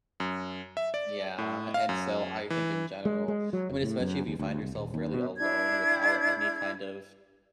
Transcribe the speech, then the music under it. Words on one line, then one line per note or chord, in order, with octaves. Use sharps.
Yeah, and so I think in general I mean, especially if you find yourself really alone without any kind of
F#2
E5
D5
A2
F5
F#2
E3
G#3
G#3
F#3
F1
A2
F#2
D#2
D2
C2
D#1
D#2
B2
D4 E4 G#6